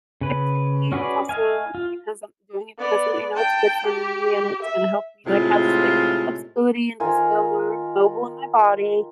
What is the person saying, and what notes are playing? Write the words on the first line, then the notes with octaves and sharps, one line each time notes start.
activity, it's also because I'm doing it because of you know, it's good for me and it's gonna help me, like, have s like, more flexibility and just feel more mobile in my body,
C#3 B4
C#4 F#4 G#4 B4 D5
D#5 F5 G#5
F4
B3 D5
G5 A5
G4
E5
A2 C3 G#3 F4
D#3 F4 A#4 G#5